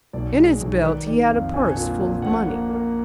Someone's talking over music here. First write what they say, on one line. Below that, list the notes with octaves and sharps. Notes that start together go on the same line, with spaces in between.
In his belt he had a purse full of money.
B1 D5
G#3
B1
B4
D#3 D5
D#3 D5
F2 F5
A#1 G#5
A#2
A#2
A#1 F#5
A#3
A#3